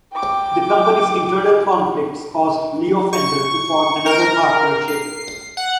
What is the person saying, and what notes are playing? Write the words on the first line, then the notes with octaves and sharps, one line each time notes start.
The company's internal conflicts caused Leo Fender to form another partnership.
G5 D6
C#6
A#4
C7
F#5